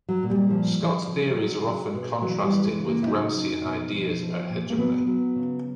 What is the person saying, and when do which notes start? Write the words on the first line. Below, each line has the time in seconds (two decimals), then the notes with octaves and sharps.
Scott's theories are often contrasted with Gramscian ideas about hegemony.
0.08 F#3
0.23 A#2
0.30 G3
0.50 F3 G3
0.79 F3
1.08 C#3
1.36 F#3
1.64 F#3
1.94 B2
2.21 E3 F#3
2.43 G3
2.50 E3
2.64 G#3
2.79 C#3
2.86 A#3
3.03 E4
3.07 F#3 D#4
3.36 F#3
3.64 B2
3.93 F3
4.21 F3
4.50 A#2
4.70 A#3
4.78 F#3 B3
5.07 F#3
5.36 C#3